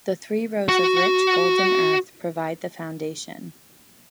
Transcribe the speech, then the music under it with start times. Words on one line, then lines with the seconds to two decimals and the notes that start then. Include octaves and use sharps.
The three rows of rich, golden earth provide the foundation.
0.69 F#4